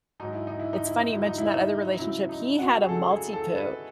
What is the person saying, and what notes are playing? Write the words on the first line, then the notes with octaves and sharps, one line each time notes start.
it's funny you mentioned that other relationship, he had a Maltipoo,
G#2 F#3 D#4
E4
D#4
E4
D#4
E4
D#4
G#2 F#3 E4
D#4
E4
D#4
C#2 C#3 F#3 E4
D#4
F#4
G#4
C#2 C#3 F#3 A4
G#4
A4
B4